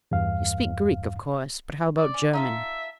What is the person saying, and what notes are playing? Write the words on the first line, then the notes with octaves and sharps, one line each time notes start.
You speak Greek, of course; but how about German?'
E2 G2 F5
D5
C#4
D#4 F4 A4 E5